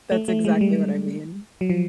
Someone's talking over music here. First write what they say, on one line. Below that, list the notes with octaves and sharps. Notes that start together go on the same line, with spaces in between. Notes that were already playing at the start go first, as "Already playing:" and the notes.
that's exactly what I mean.
A3
A3
G#3
G3
F#3
F3